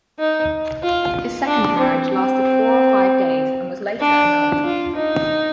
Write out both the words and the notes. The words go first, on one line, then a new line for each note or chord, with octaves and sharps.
His second marriage lasted four or five days and was later annulled.
D#4
F4
D4
C4
C4
D4
F4
D#4